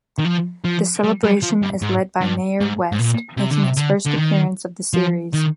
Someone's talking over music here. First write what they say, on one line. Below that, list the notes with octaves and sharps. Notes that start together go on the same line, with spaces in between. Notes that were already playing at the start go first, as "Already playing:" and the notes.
The celebration is led by Mayor West, making his first appearance of the series.
D#3
F3
F3
G3
G3
F3
G2
G#2
G2
G#2
G#2
A#2
C3
D3
C3
D3
D3
D#3
F3
D#3